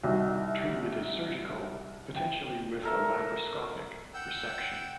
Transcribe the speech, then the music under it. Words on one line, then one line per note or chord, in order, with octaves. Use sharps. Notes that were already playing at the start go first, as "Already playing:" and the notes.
Treatment is surgical, potentially with a laparoscopic resection.
C2 C3 D#4 F#4
G5
A4 A#4 E5
F#5 G5 E6 G6